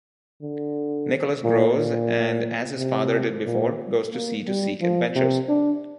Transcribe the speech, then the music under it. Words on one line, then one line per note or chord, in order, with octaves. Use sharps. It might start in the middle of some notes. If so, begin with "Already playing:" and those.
Nicholas grows, and as his father did before, goes to sea to seek adventures.
D3
A#2
A#2
C3
A#2
A#3
G3
F3
C3
D4